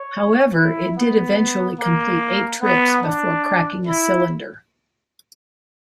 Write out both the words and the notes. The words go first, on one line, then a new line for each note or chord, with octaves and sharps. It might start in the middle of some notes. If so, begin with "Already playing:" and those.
However, it did eventually complete eight trips before cracking a cylinder.
Already playing: C#5
E4
B3
A#3
B3
D4
E4